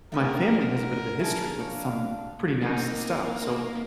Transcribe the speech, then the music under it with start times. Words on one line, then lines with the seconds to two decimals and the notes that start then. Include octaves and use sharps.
my family has a bit of a history with some pretty nasty stuff, so
0.12 D3 A3 B3 G4 A#4
1.19 A3 C#4 E4 G#4 A5
1.60 D4 C#5 F5
2.62 A#3 C4 D#4